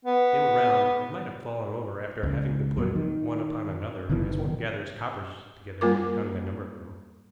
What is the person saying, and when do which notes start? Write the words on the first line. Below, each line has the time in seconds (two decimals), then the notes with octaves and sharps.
They were round, and might have fallen over after having been put one upon another as one gathers coppers together when counting a number of them.
0.05 B3
2.23 C#2
2.77 F2 A#2 F#3
2.96 D#3
4.09 F#1 B2 D#3 E3
5.81 G3 A#3 F4 A#4 D6